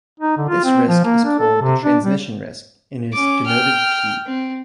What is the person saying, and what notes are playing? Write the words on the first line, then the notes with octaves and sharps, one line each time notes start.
This risk is called the transmission risk and is denoted "p".
D#4
D3
F4
C4
F3
A#3
D4
A4
C3
D4
G3
C#4 D6
G5 F6
C4